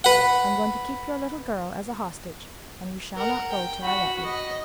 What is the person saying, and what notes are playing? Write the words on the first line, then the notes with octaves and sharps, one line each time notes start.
I'm going to keep your little girl as a hostage, and you shall not go till I let you.
B4 F#5
A#4 F#5
G5
F#4 B5
D#5